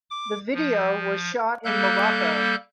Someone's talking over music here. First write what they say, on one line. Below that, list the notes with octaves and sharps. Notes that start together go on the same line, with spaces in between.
The video was shot in Morocco.
D6
F3
G3 A#3 A4 F#6 G6